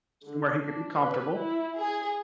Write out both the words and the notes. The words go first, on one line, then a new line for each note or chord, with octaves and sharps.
Somewhere he could be comfortable.
D3
D4
B4
E4
G#4